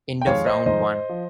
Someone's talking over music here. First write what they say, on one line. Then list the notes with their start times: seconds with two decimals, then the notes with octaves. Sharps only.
End of round one.
0.21 G5
0.26 F2 D#3 G#3 C#5 F5
0.46 C5 D#5
0.66 F2 D#3 G#3 C5 D#5
1.09 F3